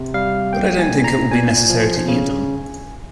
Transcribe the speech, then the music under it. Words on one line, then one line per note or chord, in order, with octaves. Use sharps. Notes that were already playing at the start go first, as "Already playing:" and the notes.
But I don’t think it will be necessary to eat them.
Already playing: C3
G3 F5
A#3 G5
G#5
A#2
A#5
A#2 G#5
F3
C#3